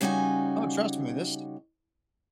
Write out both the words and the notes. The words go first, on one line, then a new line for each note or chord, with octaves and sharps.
Oh, trust me, this
C#3 G3 C#4 D#4 F#4 G#5